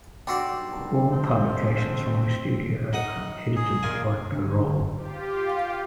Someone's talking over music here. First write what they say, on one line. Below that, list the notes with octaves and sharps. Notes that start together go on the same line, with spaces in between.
All publications from the studio are edited by Perov.
B1 G2 D4 F#4 D5 G5 C6 E6
D3 F3 G#3 C4
D#4 F#5 D#6
G#4
A#2 F4 G#5
D3
F4 G4
F5